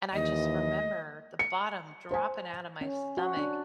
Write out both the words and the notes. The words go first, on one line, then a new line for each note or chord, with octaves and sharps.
and I just remember the bottom dropping outta my stomach,
D#2 E3 D#5
C#7
C5 G#5
C#4
F#4
D4